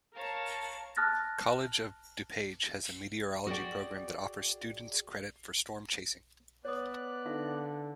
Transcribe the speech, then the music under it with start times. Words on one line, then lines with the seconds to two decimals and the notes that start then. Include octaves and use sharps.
College of DuPage has a meteorology program that offers students credit for storm chasing.
0.15 A#4 C#5 F5 A5
0.96 A5 D#6 F6 F#6 A6 A#6
3.47 F#4 G#4 C5 D5 G5
6.65 B3 C#5 D5 D#6 F#6
7.26 D3 D#4 E5 F5